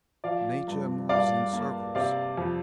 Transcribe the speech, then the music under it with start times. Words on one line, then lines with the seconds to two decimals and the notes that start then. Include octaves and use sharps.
Nature moves in circles.
0.24 F3 D5 F5
0.68 G2
1.09 G2 D5 F5
1.53 A#3
1.95 C3 D5 F5
2.37 F2